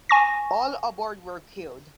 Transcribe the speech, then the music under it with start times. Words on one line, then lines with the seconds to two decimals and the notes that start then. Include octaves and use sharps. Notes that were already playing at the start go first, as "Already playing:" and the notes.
All aboard were killed.
0.09 G#5 C#6 A#6